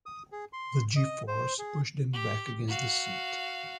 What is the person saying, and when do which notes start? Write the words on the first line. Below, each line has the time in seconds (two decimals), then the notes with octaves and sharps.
The G-force pushed him back against the seat.
0.06 D#6
0.32 G#4
0.53 C6
0.96 D#5
1.28 C5
1.59 G#4
2.13 G4
2.68 F#4 F5